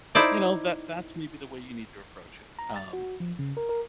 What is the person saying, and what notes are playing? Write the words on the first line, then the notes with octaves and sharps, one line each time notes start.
you know, that that's maybe the way you need to approach it. Um,
D#4 E4 C5 D5
A#5
A6
F#4
F3
C#3
A#4
A#4